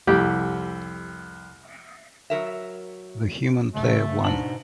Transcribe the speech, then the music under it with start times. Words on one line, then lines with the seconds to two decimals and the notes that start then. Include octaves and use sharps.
The human player won.
0.07 C2 F2 G4
2.30 F#3 A#4 E5
3.74 C#3 A3
4.24 G#2 B2 D4 A5 F#7